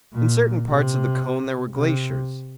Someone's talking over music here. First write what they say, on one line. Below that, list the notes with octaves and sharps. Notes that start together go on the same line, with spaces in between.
In certain parts of the cone there were glaciers.
A#2
C3
C3